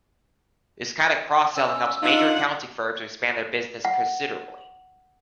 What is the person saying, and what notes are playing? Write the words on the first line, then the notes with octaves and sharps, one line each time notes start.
This kind of cross-selling helped major accounting firms to expand their businesses considerably.
C#4 E6
D4 D#4 F4 F#5
F#5